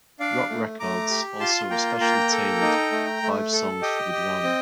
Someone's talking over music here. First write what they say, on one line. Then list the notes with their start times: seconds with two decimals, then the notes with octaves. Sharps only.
Rock Records also especially tailored five songs for the drama.
0.20 D4 D5 F5
0.50 A3
0.80 A3 A#5 D6
1.10 G4
1.40 F4 A5 C6
1.70 A#3 G5 A#5
2.00 A#3 G5 A#5
2.32 A4
2.61 D#4
2.92 A3
3.22 A3
3.53 A4
3.82 G4 D#5 G5
4.13 G4
4.43 C4